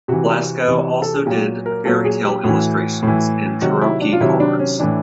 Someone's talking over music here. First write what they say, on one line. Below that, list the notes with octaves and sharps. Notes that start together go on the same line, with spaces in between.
Blasco also did fairy tale illustrations and tarrocci cards.
C3 E3 F#4
C3 E3
A4
G#4
A#2 F#3 G4
A#4
A#2 F#3 A4
G#4
G4
A2 E3 F#4
A2 E3
C3 D#3 F#3 F#4
E4
D4
F4
C3 D#3 F#3 E4
D4
C#4
A2 E3 D4